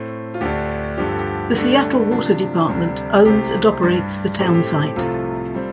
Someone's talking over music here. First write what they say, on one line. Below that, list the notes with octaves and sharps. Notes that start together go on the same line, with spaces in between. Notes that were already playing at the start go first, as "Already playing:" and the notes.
The Seattle Water Department owns and operates the townsite.
Already playing: A2 A3 C4
F4
D2 D3 A3 D4 G4
G2 D3 F3 G4
A4
G4
G2 D3 A3 D4
C3 F3 D4
D2 C3 G3 D4
C2 C3 A3 C4 G4
G2 G3 D4
A2 A3 C4 G4
A4
G4
C2 C3 F3 A3 F4 A4
G3 C4